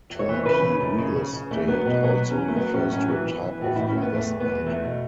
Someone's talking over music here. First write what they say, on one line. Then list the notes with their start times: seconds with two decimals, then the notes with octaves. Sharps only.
Turnkey real estate also refers to a type of investment.
0.10 E2
0.19 C#5
0.29 E3
0.35 C#5
0.45 C#3 B4
0.63 C#3
0.80 F#2
0.98 C#3
1.16 C#3
1.33 C#3
1.51 E2 A3
1.68 F#3 B3
1.86 B2 B3
2.03 F#3 B3
2.21 F#3
2.30 C#4
2.38 F#3
2.48 A3
2.56 F#3 B3
2.73 A2 C#4
2.91 F#3 C#4
3.08 E3 B3
3.26 E3
3.43 E3
3.61 A2 F#4
3.76 A2 E4
3.89 C#4
3.97 A2
4.02 B3
4.14 E2 A3
4.31 E3
4.40 B3
4.48 E2
4.66 E2 A3
4.84 B2